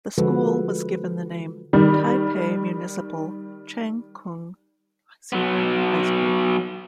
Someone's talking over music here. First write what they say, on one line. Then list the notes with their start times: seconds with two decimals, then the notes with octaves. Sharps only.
The school was given the name Taipei Municipal Cheng Kung Senior High School.
0.18 D3 F3 G#3 F#4 A4 B4
1.73 D#3 G3
5.32 F#3 B3